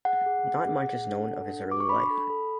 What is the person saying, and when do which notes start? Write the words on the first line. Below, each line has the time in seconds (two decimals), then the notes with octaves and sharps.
Not much is known of his early life.
0.05 G#4 F#5
0.26 G#4
0.46 G#4
0.67 G#4
0.87 G#4
1.08 D4
1.27 A4
1.48 D4
1.70 F#4 D6
1.80 C#6
1.89 D4 B5
2.10 A4
2.30 A4